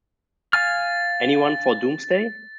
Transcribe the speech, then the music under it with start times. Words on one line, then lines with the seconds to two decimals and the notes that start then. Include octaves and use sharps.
Anyone for Doomsday?
0.53 F5 G#5 F6 A6